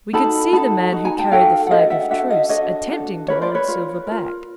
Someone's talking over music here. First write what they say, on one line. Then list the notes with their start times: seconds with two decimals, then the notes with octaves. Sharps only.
We could see the man who carried the flag of truce attempting to hold Silver back.
0.13 D#4 F#4 A4 A5 B5
0.53 D#4 F#4 A4 A5 B5
0.92 D#4 F#4
1.05 G#5 A#5
1.19 G5 A5
1.32 D#4 F#4 A4 F5 G5
1.67 F#5
1.71 D4 F#4 A4 D#5 F5
1.90 E5 F#5
2.10 D4 F#4 A4 E5 F#5
2.30 D#5 F5
2.49 D4 F#4 A4 C#5 D#5
2.90 D4 F#4 A4
3.28 F4 A#4 B4 C#5
3.42 C5 D5
3.55 B4 C#5
3.68 F4 A#4
4.07 A#4
4.12 F4